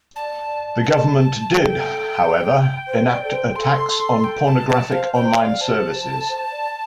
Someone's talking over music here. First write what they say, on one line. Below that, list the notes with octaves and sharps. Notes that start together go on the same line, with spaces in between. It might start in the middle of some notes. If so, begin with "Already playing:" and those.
The government did however enact a tax on pornographic online services.
D5 A5
A5
A4 G5
C5
D5
A4
C5
A4 C6
G5
A5
A5
C5 F5
C5 G5
D5 F5
C5 A5
C5
C5
A4
C5
D5